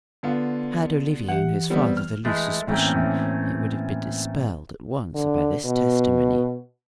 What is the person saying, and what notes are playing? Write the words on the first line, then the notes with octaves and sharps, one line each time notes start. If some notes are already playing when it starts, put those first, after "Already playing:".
Had Olivier and his father the least suspicion, it would have been dispelled at once by this testimony.
D3 B3 F4
E3 G4 F#5
G3 B3 C4
F6
E3 G#3 A3
A2 E3 A3 A#3 C4 C#4
D3
B2